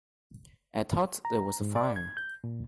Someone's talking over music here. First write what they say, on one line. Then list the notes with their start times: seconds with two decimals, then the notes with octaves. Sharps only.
I thought there was a fire.
1.25 A#5
1.61 G#2
1.76 D5
1.96 G#6
2.17 G6
2.44 A#2